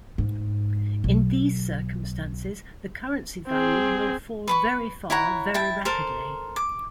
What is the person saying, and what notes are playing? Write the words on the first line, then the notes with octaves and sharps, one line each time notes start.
In these circumstances, the currency value will fall very far very rapidly.
G#2
B1
C4 G#4
B4 B5 C#6
E4 C#5 F#5 A#5
E4 G5 A5
A4 A#4 C5
D6